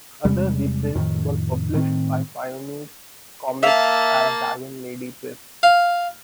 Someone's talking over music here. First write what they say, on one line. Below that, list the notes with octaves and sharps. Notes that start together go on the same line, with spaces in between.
Other reprints were published by Pioneer Comics and Dragon Lady Press.
E2 C3 G3 G#3
F2 A2 D#3
A2 D#3 C4
A#3 E5 F5 A5
F5